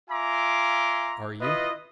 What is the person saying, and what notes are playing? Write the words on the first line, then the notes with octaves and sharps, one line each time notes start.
"Are you?"
F4 E5 G#5 A#5 C6 D6
E4 F4 B4 D#5